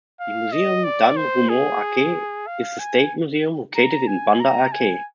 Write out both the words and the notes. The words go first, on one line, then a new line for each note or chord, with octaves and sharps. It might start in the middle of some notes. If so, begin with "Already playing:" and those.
The Museum dan Rumoh Aceh is the State Museum, located in Banda Aceh.
F5
D#5
D5
C5
G#4
F5
G#5
A#5
G#5
A#5
G#5